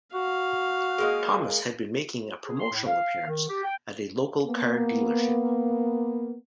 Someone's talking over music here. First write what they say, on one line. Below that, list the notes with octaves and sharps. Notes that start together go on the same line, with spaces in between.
Thomas had been making a promotional appearance at a local car dealership.
F#4 F5
G#3 A#3 D#4
G#4
C6
A2
F5
D#3
G4
G5
A#3 B3